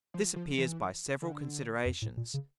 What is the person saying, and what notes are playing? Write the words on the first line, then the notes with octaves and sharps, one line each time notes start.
This appears by several Considerations.
F3
F3
E3
D3
F2
A2
A#2
C#3